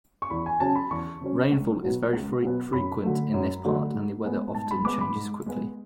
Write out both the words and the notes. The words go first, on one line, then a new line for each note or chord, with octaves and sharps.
Rainfall is very frequent in this part and the weather often changes quickly.
C#6
E2 B5
G#5
C#3 F#3 C#4 A5
B5
E2 C#6
C#3 F#3 C#4
C#2
B2 F#3 B3
C#2
B2 F#3 B3
F#2 B5
D3 F#3 A3
F#2
D3 F#3 A3
G#2
G#3 B3
G#2 A5
B5
G#3 B3 D6
B5
G#2
G#3 B3